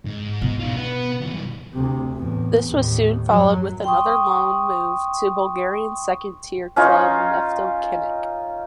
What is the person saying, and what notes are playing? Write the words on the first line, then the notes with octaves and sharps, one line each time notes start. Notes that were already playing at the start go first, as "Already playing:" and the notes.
This was soon followed with another loan move to Bulgarian second tier club Neftochimic.
G#2
B2
D#4 F4
B3
B1 G2
D2 C3
E2 A2
D#2 A2
F#2 F#3
G5 C6 C#6 D#6
C#4 D#4 F4 C#6